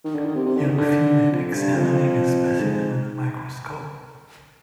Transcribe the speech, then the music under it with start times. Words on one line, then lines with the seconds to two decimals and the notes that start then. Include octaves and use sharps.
Young female examining a specimen in a microscope.
0.04 D#3
0.15 D3
0.25 D#3
0.35 C3
0.46 C3
0.57 D3
0.67 D#3
0.78 D3
1.32 F2
1.53 G2
1.75 F2
2.60 G#2